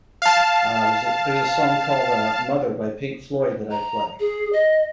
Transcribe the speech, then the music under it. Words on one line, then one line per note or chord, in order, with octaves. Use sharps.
uh, there's a there's a song called, uh, "Mother" by Pink Floyd that I play,
F5 A5
A#5
G#4
D#5